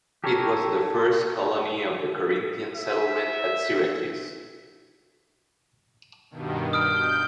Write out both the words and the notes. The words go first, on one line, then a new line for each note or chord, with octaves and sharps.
It was the first colony of the Corinthian settlement at Syracuse.
G4 A4 A#4 C#5
E5
G2 B2 D#3
D#6 F6 G6 D7